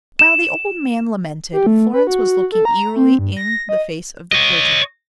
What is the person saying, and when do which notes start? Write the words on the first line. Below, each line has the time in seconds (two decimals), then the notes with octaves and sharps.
While the old man lamented, Florence was looking eagerly in the face of the clergyman.
0.19 E7
1.53 G4
1.67 A3
1.94 B4
2.07 F#4
2.52 A4
2.65 A#5
2.96 C4
3.19 G2
3.37 A#6
3.69 D#5
4.32 C#5 D#5